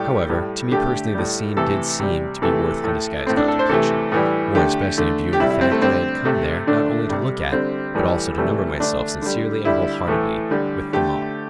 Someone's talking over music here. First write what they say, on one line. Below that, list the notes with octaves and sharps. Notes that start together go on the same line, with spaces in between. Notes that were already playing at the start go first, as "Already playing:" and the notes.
However, to me personally the scene DID seem to be worth undisguised contemplation--more especially in view of the fact that I had come there not only to look at, but also to number myself sincerely and wholeheartedly with, the mob.
Already playing: A2 G3 G4
A2 G3
D3 A3 G4
A2 G3
C3 E3 A3 A4
C3 G3
C3 E3 A3 A4
A2 A3
A2 A3 C4
D4
A4
C5
C3 E3 A3 A4
A2 E3 G3
D3 A3 G4
D3 A3
G4
C3 G3 E4
E4
C4
A3
D3 G3 C4
C3 A3
D3 A3 D4
C3 G3
D3 G3 C4
A2 E3 G3
C3 E3 G3 A3
D3 A3 D4
D3 G3
D3 G3 E4
A2 E3 A3
D3 G3
D3 A3 G4